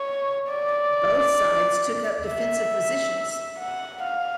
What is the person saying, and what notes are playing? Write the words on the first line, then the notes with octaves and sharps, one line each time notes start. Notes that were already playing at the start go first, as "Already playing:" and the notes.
Both sides took up defensive positions.
Already playing: C#5
D5
E5
F#5
F5